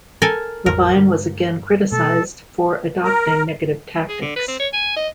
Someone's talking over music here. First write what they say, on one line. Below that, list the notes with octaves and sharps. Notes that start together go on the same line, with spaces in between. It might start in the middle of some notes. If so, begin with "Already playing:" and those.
Levein was again criticised for adopting negative tactics.
A4 A#4 G#5
A1 F2 A#4
G2 D3 G#3
B2 A3 A4
A#4
G#4
D3
B4
C4
C#5
G#5
D#5